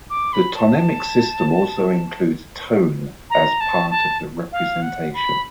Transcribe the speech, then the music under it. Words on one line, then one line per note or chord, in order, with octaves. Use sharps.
The tonemic system also includes tone as part of the representation.
D6
B5
A5
A#5
A5
A5
F5
F#5
B5